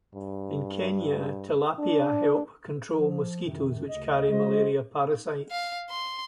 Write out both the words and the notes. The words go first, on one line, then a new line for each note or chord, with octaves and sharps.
In Kenya, tilapia help control mosquitoes which carry malaria parasites.
G2
D4
F3
F#2 C3 D#3
D2 C#3 D#5
G#3 F#4 C5 D#5
F5
C6